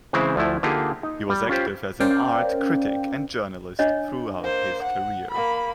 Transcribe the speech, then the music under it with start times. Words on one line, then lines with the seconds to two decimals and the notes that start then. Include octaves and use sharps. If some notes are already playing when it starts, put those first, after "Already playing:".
He was active as an art critic and journalist throughout his career.
0.13 C#3 E3 G#3 C4 E4 C5
0.36 D2 F3 A3 E4
0.63 D3 A#3 D#4 F4 G4 G#4
1.03 D#4
1.30 G3
1.49 C#4 F4 G4 C5
2.00 C#4 A#4 C5 D5 F5 G5
3.79 D4 C#5 D#5
4.41 A#3 C5
4.83 F#5
5.31 A#3 B5